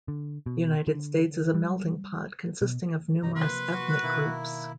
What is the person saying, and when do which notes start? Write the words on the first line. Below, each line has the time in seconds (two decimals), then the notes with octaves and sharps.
The United States is a melting pot consisting of numerous ethnic groups.
0.08 D3
0.46 B2
0.87 D3
1.54 G3
2.62 B2
3.23 G2 C3 F#3 D#4 A#5
3.35 C3 F3 A#3 B4 C6
3.71 F#4
4.03 B2 D#3 A#3 E4